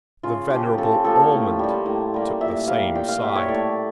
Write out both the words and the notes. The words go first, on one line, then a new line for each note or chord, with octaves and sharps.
The venerable Ormond took the same side.
C#3 F4
F3 A#3 G4
C#3 A4
G4
F3 A#3 A4
C#5
A2
G3 A#3
A2
G3 A#3
A#2 E5
G3 A#3 F5
A#2 G5
F5
G3 A#3 E5
C#5
A2 D5